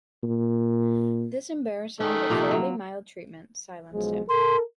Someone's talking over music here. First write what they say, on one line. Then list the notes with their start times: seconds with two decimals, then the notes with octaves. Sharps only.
This embarrassing but fairly mild treatment silenced him.
0.23 A#2
2.00 D#3 A3 C#4
2.30 C3 F3 A#3
2.51 F#3
3.94 B1 F3 G#3
4.29 A4 A#4 C6